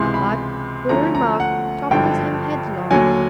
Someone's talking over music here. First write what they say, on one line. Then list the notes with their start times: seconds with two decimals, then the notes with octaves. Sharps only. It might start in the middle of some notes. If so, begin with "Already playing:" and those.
But the remark toppled him headlong.
Already playing: C#2 C3 E3 G#3 C6
0.14 B5
0.89 D2 D3 F3 A3 C#4 A#5
1.15 A#5
1.40 F#5
1.91 G#1 G2 D3 F3 G5
2.91 D#2 D3 F#3 G#5